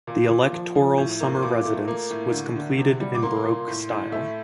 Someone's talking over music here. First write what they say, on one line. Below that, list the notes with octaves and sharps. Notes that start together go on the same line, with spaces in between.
The electoral summer residence was completed in baroque style.
A#2
A#2
F3
F3
A2
A#3
C6
A#2 D6
A3
A#3
A2
D3
D3
C3
G3
D6
A#3 C6
A#2
A2
A2
A3 E5